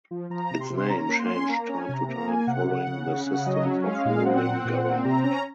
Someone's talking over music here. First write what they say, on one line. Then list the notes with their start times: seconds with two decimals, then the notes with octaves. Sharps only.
Its name changed time to time following the systems of ruling government.
0.11 F3
0.30 F3 A#5
0.51 C3
0.60 C6
0.70 C3
0.77 C6
0.90 C#4 A#5
1.09 A#3
1.19 C6
1.29 C#4
1.39 G#5
1.49 A#3 A#5
1.63 A#5
1.69 C#4
1.78 G#5
1.89 C3 A#5
2.08 A#3 A#5
2.27 A#3 G#5
2.47 C3 F#5
2.67 C#3 F#5
2.87 C#3
3.07 C#3
3.26 C#3 F#5
3.46 F#3 D#5
3.65 C#4
3.85 G#3 F5
4.05 A#2 F5
4.25 C4 F#5
4.45 C4
4.65 A#2
4.84 C4
5.04 C3 A#5
5.23 C#4 A#5